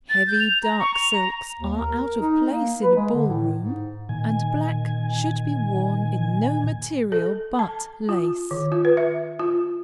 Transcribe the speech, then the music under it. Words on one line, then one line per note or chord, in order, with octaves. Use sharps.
Heavy, dark silks are out of place in a ball room, and black should be worn in no material but lace.
A6
G6
F7
A#5
C#6
F7
A#5
D#2
A#4
D#4
A#3
B4
G#3
D3
A2
G#2
A#2 D#3 G#5
A4
A5
F4
D#3
F4
B4
E5
F4